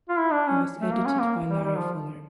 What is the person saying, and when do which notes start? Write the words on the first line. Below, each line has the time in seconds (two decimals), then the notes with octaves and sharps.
It was edited by Larry Fuller.
0.09 F4
0.18 E4
0.33 D4
0.48 C#4
0.80 A3
0.94 A#3
1.06 C#4
1.20 A#3
1.50 G3
1.64 G3
1.78 F3